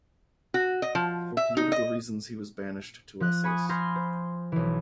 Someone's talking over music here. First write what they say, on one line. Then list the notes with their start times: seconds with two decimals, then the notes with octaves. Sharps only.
For political reasons he was banished to Alsace.
0.54 F#4
0.82 D#5
0.95 F3
1.37 E5
1.57 D#4
1.72 D#5
3.20 F3 F#6
3.44 G#5 B5 C#6 D#6
3.69 G#5 B5 C6 F6 G6 A#6
3.96 C5
4.52 B1 E3